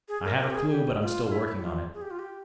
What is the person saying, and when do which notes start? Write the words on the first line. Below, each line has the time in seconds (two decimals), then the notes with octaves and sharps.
I have a clue, but I'm still working on it.
0.08 G#4
0.24 A#4
0.39 A#4
0.50 G4
0.55 G#4
0.71 G4
1.01 F4
1.25 F4
1.31 E4
1.58 G4
1.62 F4
1.94 G#4
2.01 G4
2.11 F4
2.19 G4